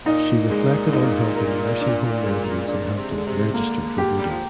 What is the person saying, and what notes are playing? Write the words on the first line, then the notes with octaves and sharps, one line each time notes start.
She reflected on helping nursing home residents in Hampton register for voting.
A#2 D#4
G#3
D#4
A#4
D4
G#3
A#2 D4
C3
G#3
D3
C3
D3 A#3
G4
G3
F3